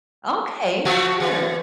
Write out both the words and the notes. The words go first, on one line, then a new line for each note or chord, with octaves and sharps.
Okay, sure.
F3 A3 F#4
E3